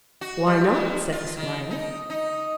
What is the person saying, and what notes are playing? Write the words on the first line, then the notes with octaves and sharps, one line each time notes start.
"Why not?" said the squire.
F#4
G3
G2
F4
D#3
D#4
D#4